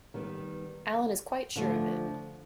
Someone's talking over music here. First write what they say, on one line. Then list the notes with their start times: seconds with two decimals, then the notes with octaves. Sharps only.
Allan is quite sure of it.
0.14 D#3 G3 B3
1.56 D3 F3 A3